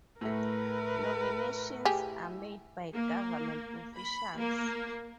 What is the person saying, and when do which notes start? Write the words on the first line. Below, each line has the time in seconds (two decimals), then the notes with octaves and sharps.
Nominations are made by government officials.
0.21 A2 A3 A#4 B4
1.85 G4 G#4
2.95 A#3
3.96 B5
4.36 A#3